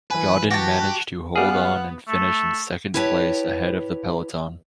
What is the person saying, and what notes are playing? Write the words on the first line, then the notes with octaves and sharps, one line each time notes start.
Gaudin managed to hold on and finish in second place ahead of the peloton.
E3 B4 G#5
F#4 G4 A5
F#6
G3 B3 G#4 F5 F#5
A3
E4 G4 B4 C#5 G#5 A5